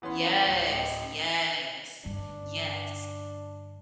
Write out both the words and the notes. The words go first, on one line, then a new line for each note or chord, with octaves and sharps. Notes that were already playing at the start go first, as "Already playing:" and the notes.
Yes, yes, yes.
E3 B3 C#4 C6
D1 C#7
D1 D#4 G5
G2 D3 D4